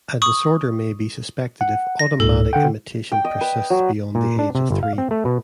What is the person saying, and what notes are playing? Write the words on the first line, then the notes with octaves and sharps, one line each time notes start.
A disorder may be suspected if automatic imitation persists beyond the age of three.
C#6 D#6 F#7
F#5
A#6
C#2 G#2 A4
D3 F#5 G5
G5
D#5
B4
F#3
A#2
D4
C3
G1
F5
C4
A3
B2